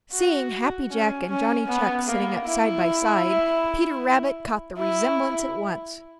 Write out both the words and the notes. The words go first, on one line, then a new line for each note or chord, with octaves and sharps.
Seeing Happy Jack and Johnny Chuck sitting up side by side, Peter Rabbit caught the resemblance at once.
F#4
C#4
C#4
B3
A#3
E4
E4